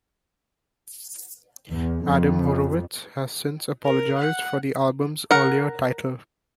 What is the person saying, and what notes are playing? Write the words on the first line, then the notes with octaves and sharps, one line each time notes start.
Adam Horovitz has since apologized for the album's earlier title.
E2
F2
A#4
F#5
A#4 F#5